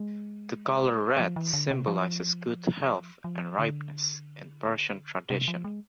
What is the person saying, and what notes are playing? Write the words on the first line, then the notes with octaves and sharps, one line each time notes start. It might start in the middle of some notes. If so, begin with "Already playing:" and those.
The colour red symbolizes good health and ripeness in Persian tradition.
Already playing: G#3
F3
E3
D3
C3
F3
F3
D3
C3
F3
G#3